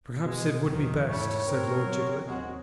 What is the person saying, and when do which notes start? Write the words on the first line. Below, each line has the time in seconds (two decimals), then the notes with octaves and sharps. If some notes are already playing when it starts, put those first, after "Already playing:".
"Perhaps it would be best," said Lord Giblet.
0.24 B2 G#3
0.67 E2 D#3 E3 F#3
1.08 G#2 G3 A3 E4 C#5
1.46 C4 A#4
1.77 F#3
2.26 A#1 D#2 G#3 C4 F#4